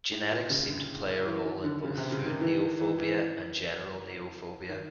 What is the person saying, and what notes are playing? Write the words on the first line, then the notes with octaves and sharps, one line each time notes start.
Genetics seem to play a role in both food neophobia and general neophobia.
A2
A#2
C#3
D3
E3
D#3
D3
C#3
C3
C#3
D#3
E3
D#3
E3
E3
D#3